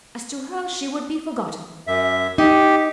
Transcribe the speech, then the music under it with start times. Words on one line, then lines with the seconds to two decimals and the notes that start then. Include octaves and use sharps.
As to her she would be forgotten.
1.87 F#2 E5
2.38 D#4 G4